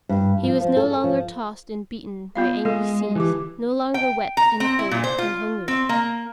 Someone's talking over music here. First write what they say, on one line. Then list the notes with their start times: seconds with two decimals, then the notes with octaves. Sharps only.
He was no longer tossed and beaten by angry seas, no longer wet and cold and hungry.
0.09 G2
0.44 F3
0.61 F3
0.77 A4
1.04 F3
2.36 B3 F4 F5
2.65 G#3 A4 F5
3.16 D3 E3 G4 D6
3.94 G5
4.37 A#5
4.60 C4
4.79 E4
4.91 A#2
5.04 C5
5.18 F4
5.68 C4
5.89 A#3